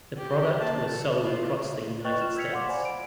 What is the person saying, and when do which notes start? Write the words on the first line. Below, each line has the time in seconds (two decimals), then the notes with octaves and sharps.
The product was sold across the United States.
0.18 G4
0.60 A#3 A5
0.91 A4
1.20 E4 F4
2.05 B4 D#5 G5 C#6 F#6 A6
2.21 F4 F6 E7
2.36 E6 G6 G#6 B6 C#7 F7
2.51 F5 F#5 C6 D6
2.69 C5 D5 G#5 B5
2.85 D7